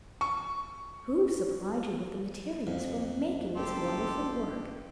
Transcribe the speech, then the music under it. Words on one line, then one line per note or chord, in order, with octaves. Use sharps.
"Who supplied you with the materials for making this wonderful work?"
C#6
F2
F#1 G4 A4 C6